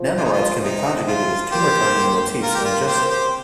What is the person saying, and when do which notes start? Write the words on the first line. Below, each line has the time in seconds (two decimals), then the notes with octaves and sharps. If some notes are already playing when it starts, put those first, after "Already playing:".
Nanorods can be conjugated with tumor targeting motifs and ingested.
Already playing: F3
0.17 F4
0.25 D#4
0.33 F4
0.57 A#2
0.62 C3 D#4
1.08 F4
1.52 A#3 G4 C5
1.61 G3
1.70 A#3
2.43 A#3 F4 A#4
2.55 G4
2.60 G3 F4
2.72 A#3
2.87 G4 C5
3.02 C4
3.09 G4 C5